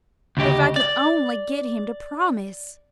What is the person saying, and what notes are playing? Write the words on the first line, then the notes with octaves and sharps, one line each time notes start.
"If I could only get him to promise!"
D2 C#3 G4 D#5
D5